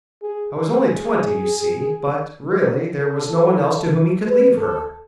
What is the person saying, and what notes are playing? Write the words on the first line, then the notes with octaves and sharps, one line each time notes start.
I was only twenty, you see; but, really, there was no one else to whom he could leave her.
G#4
G#4
A4
B4
A4